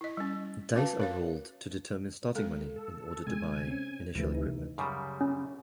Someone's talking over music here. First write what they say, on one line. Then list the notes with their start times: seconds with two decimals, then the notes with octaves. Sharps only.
Dice are rolled to determine starting money in order to buy initial equipment.
0.01 E4 D#5
0.17 G3 C#4
0.75 C#4 F#4 B4 F5 A5
1.00 A#4 C#5 F5
2.35 G#3 A4
2.76 A4
3.27 C3 G#3 G#5
3.67 C4 C#4
4.15 D2 C3 E3 F3 A3
4.34 D#4
4.78 F#2 C#3 G3
5.21 C#4